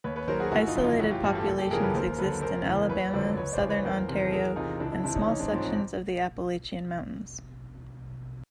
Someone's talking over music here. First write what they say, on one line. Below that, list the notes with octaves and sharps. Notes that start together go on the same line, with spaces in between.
Isolated populations exist in Alabama, Southern Ontario, and small sections of the Appalachian Mountains.
D#2 B4 C#5
B4 C#5
D#3 F#3 A#4 C5
F#4 G#4
G1 E4 F#4
D#4 F4
F2 C#3
D#4 F4
A1 E4 F#4
F4 G4
G2 E3
G4 A4
F#1
G4 A4
F2 C#3 E3 G#4 A#4
A4 B4
D#2 A#4 C5
D3 F#3 A4 B4
F#1 A#4 C5
E2 C#3 E3
F#1 B4 C#5
F2 D3 F#3 C5 D5
C#2 B4 C#5
C5 D5
C#3 E3
B4 C#5
E2 A#4 C5
C3 D#3
A4
E2 G#4 A#4
C3 E3 D#4 F4
C#2 D4 E4
D4 E4
C3 E3 D4 E4
C#4 D#4
A1 C#4 D#4
C4 D4
G#2 F3 C4
C4